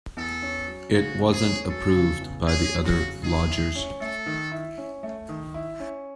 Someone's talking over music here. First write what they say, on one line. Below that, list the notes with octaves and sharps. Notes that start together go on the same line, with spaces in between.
It wasn't approved by the other lodgers.
E2 A4
C#4
F#3
C#3 F#4
E2
G#4
C#4
F#3 A4
C#3
E2
C#4 G#4
F#3
F#4
C#3
D#3 G#4
E4
C#4
A3 A4
D#3
E4
C#4
A3
D#3
E4
C#4